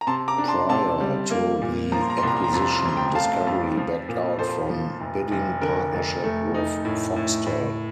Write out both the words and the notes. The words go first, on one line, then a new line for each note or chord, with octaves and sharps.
Prior to the acquisition, Discovery backed out from bidding partnership with Foxtel.
A#5
C3 A5 C6
A#5 D6
D4
A5 C6
C3 A5 C6
G3
A#3
A#2
F3 A#5
C6
A#5
C6
C2 A#5
C6
A#5
F2 C6
A#5
C6
A#5
F2 C6
G5 A#5
A3 F5 A5
F2
F3
A#2
A#2 A4 C5
F3
F1
F1
D3 A#4
F1
A3
D#4
A2
A2
A2